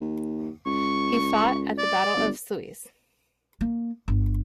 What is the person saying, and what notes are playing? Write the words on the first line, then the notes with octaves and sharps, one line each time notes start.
He fought at the Battle of Sluys.
D#2
C#2 C#6
D5
G1
A#3
G1